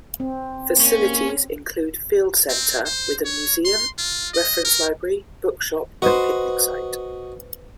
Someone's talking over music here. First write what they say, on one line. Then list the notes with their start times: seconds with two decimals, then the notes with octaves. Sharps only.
Facilities include field centre with a museum, reference library, bookshop and picnic site.
0.20 C4
0.79 A#3 C#4
2.50 C4
2.86 C5
3.25 C#5
3.65 C6
3.98 F4
4.34 D#5
4.65 A#4
6.02 F#4 B4 C5 D#5